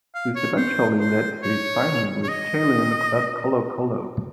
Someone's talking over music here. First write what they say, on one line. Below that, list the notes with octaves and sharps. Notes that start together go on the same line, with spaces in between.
This eventually led to his signing with Chilean club Colo-Colo.
F5
C#5
C5
C5
C#5
C#5
D#5